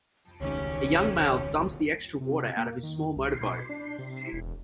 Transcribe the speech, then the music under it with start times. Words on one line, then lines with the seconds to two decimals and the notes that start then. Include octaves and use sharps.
A young male dumps the extra water out of his small motorboat.
0.41 E1 C#2 D#3 A3 C#4 G4 C#5
2.21 C3
2.57 A#3
2.83 D#3
3.16 C2
3.41 B2
3.69 D4
3.99 C3
4.33 E1